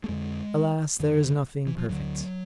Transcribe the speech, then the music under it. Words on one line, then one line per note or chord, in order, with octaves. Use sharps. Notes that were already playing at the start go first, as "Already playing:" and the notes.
Alas, there is nothing perfect!
A3
F2 D3 G#3
F2 D3
E3
F3
D2 D3 F#3